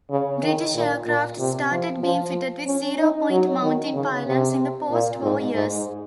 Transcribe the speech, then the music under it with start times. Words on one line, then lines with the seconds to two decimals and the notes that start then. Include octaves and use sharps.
British aircraft started being fitted with "Zero-Point" mounting pylons in the post-war years.
0.11 C#3
0.43 D#3
0.75 A#2
1.07 A#2
1.39 C3
1.72 F3
2.03 F3
2.67 C#4
2.99 D#4
3.31 F#3
3.63 D#3
3.95 C#3
4.26 C3
4.91 A#2
5.23 G#2
5.55 G#2